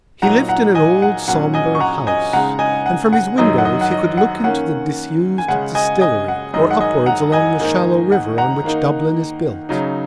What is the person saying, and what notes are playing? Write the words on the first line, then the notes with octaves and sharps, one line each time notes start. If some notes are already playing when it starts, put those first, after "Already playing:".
He lived in an old sombre house and from his windows he could look into the disused distillery or upwards along the shallow river on which Dublin is built.
A#2 F#3 D#4 F#5 A#5
F#5 A#5
D#5 G#5
F#5
A#2 F#3 C#4 F#5
D#5 G#5
C#6
F#5 A#5
D#5 G#5
C#3 G#3 D#4 F#5 A#5
D#5 G#5
F#5
F#5
F#2 D#3 F#3 D#4 D#5
F#5
D#5
F#5
D#5
F#5
D#3 A#3 C#4 F#5
G#5
C#3 G#3 C#4 F#5
D#5 G#5
D#5 G#5
F#5
F#2 D#3 G#3 D#4 D#5
F#5
D#5 G#5
F#5 A#5
D#5 G#5
G#2 D#3 A#3 D#4
F#5
F#5 A#5
D#3 A#3 D#4
C#3 F#3 D#4